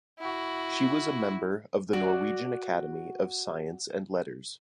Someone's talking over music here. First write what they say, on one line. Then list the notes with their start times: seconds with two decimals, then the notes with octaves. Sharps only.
She was a member of the Norwegian Academy of Science and Letters.
0.19 E4 F#4
1.93 F#4 D5